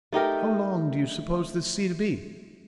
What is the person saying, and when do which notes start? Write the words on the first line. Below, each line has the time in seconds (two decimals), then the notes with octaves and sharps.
"How long do you suppose this sea to be?"
0.13 A3 D#4 G4 A#4